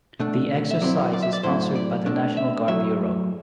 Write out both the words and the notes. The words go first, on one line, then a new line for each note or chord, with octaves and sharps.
The exercise is sponsored by the National Guard Bureau.
B2 A3 D4
E5
F#3 C4 E4 D5
D5
E5
D5
A2 F#3 C4 E4 C5
D5
B2 A3 D4
E5
F#3 A3 E4 E5